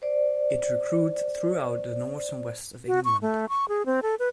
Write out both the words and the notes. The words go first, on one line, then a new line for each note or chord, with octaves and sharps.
It recruits throughout the North West of England.
C5 D5
F#4
C#6
A3
C#6
G#4
C4
A4
B4